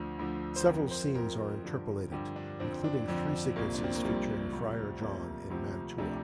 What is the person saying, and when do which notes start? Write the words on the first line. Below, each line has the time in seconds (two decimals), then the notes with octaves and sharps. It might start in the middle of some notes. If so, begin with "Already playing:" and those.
Several scenes are interpolated, including three sequences featuring Friar John in Mantua.
Already playing: D2 D3 F3
0.19 D2 D3 F3
0.56 C5
0.66 F2 F3 A#4
0.91 C5
1.15 F2 F3 A#4
1.64 G2 D3 F3
2.11 G2 D3 F3 G4
2.36 D4
2.60 F2 D3 F3 C4
2.84 D4
3.08 F2 D3 F3
3.56 C2 A#2 F3 A#3
3.75 D4
3.84 C4
3.95 A#3
4.05 C2 A#2 F3 G3
4.53 D2 C3 F3
5.01 D2 C3 F3 A#3
5.50 D2 C3 F3
5.98 D2 C3 F3 D4